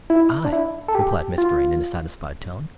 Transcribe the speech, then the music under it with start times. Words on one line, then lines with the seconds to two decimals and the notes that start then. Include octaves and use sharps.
"I!" replied Miss Vrain in a satisfied tone.
0.10 E4
0.45 D4
0.53 E4
0.88 A4
0.95 G4
1.38 F4